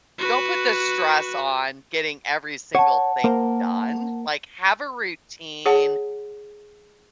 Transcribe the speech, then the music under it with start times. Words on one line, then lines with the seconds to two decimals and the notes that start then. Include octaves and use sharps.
don't put the stress on getting every single thing done, like, have a routine
0.18 F#4 B4
2.75 C#5 F#5 A5
3.24 A#3 A#4 C5
5.66 G#4 C#5 F#5 A5